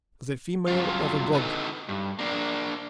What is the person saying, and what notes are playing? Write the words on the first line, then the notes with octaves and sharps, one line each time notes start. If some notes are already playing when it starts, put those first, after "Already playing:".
The female of a god.
G2 C#3 F#3 F4
D3 D#4 G4 A4 B4
G2
A#3 D4